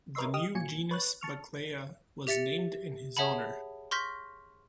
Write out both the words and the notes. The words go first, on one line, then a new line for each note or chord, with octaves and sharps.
The new genus "Buckleya" was named in his honor.
A#4 B4 C#5 D#5 E5 C6
G4 D#5 D#6 F6 E7
A#2 F#3 G#5 C#7
B4 C#5 F#6 A6
A5 C#6 F6
G4 E5 A6 C#7
G#4 C#5 E5 F#5 A5 B5
C6 C#6 F6 G6 A#6 B6